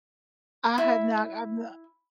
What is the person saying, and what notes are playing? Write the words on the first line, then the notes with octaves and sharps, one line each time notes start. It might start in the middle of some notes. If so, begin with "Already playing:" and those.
I have not I've no
E4